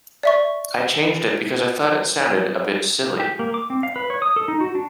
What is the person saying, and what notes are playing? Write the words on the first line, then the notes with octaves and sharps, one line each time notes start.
I changed it because I thought it sounded a bit silly.
D5 E5 C#6
G4
A#3
D6
C4
F5
B4
C#5
D#6
A4
D#4
F#4
D4